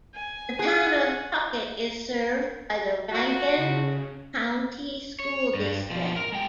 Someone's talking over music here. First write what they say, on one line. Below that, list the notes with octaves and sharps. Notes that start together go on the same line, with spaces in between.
The town of Puckett is served by the Rankin County School District.
G#5
G#4 F#5
A3 F4 F#4
C#3
C#5
G2
B2 F3
A#4
G#3 G5